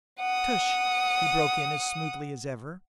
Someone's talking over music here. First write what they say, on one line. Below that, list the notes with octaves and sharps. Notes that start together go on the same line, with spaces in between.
"Tush," he broke in as smoothly as ever.
F#5 D#6